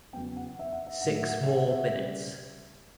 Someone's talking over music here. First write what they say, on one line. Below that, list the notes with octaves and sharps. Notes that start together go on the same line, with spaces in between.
Six more minutes.
E2 C#3 F#3 B3 G5
F#5
E5
F#5
E5
A2 F#3 A3 F#5
E5
F#5
E5
F#5
E5
C#3 G3